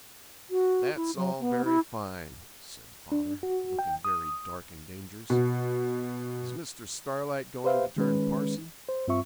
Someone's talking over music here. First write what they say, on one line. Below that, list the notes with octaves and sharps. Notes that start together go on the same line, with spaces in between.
'That's all very fine,' said father, looking very dark and dangerous. 'Is Mr. Starlight going to turn parson?
F#4
E4
F#3
B3
E4
D4
F#4
G5
D#6
B2
G4 B4 C5 E5 F5
D#3 G#3 C#4 B4
C5
G2 C4 F4 E5 C#6